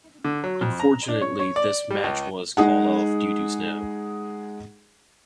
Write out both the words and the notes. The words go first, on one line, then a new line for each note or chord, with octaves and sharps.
Unfortunately this match was called off due to snow.
D3
F#3
F2
A#5
D4
C#5
C#5
D5
G3
C#2
G#3 D#4 G#4 F#5